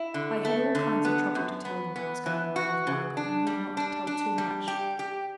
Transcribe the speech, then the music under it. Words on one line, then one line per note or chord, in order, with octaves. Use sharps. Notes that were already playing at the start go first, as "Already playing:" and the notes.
'I had all kinds of trouble to tell them I was going away with Warrigal, and yet not to tell too much.
Already playing: E4
D3
A3
D3
B3
F#2
B3
B3
E3
F#4
C#3
D4
G3
D4
D4
G3
G4
G4